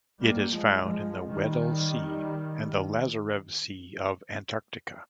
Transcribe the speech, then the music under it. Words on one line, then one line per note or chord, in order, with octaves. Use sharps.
It is found in the Weddell Sea and the Lazarev Sea of Antarctica.
G3 A#3
F3 G#3
F3 G#3
D#3 G3